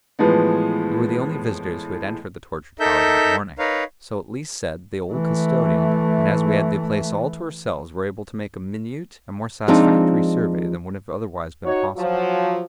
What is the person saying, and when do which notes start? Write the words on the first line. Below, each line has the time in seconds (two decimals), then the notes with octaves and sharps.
We were the only visitors who had entered the Torture Tower that morning--so at least said the old custodian--and as we had the place all to ourselves were able to make a minute and more satisfactory survey than would have otherwise been possible.
0.19 A2 E3 F3 G#3 B3
2.80 D#4 A4 A#4 E5 G6
3.59 D#4 A#4 B4 C#5 F5
5.13 E3 A3
9.68 F3 G#3 C4 D4 D#4 F4
11.65 D#4 F#4 C#5
11.97 F3 F#3